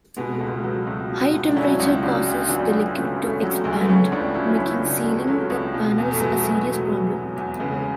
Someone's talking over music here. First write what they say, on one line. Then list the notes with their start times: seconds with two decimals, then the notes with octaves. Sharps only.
Higher temperatures cause the liquid to expand, making sealing the panels a serious problem.
0.17 B2 G#3 B3
0.33 A3
0.41 C#2
0.48 G#3 B3
0.64 F#3 A3
0.87 C#2
1.10 B2 G#3
1.34 C#2
1.50 D4
1.56 F#3 C#4 E4
1.80 C#2
2.02 C#3 D4 F#4
2.27 D2
2.49 F#3 B3 D4
2.72 D2
2.95 C#3 A3 C#4
3.12 G#3 B3
3.19 D2
3.26 A3 C#4
3.43 F#3
3.64 D2 G#3
3.72 A3
3.80 B3
3.89 C#3 A3 C#4
4.12 C#2 B3 D4
4.34 F#3 C#4 E4
4.50 C#4 E4
4.58 C#2
4.65 C#4 E4
4.81 C#3 B3 D4
4.97 A3 C#4
5.04 C#2
5.12 G#3 B3
5.27 F#3 A3 C#4
5.50 C#2
5.74 B2
5.98 E2
6.11 A3
6.20 F#3 G#3 B3
6.37 A3
6.44 E2
6.52 G#3
6.66 B2 A3
6.91 E2
7.14 F#3
7.36 E2
7.60 C#3 G#3 B3